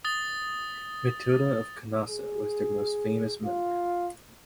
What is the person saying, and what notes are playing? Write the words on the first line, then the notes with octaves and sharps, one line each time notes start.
Matilda of Canossa was their most famous member.
D#6 A6 G7
G#4
F4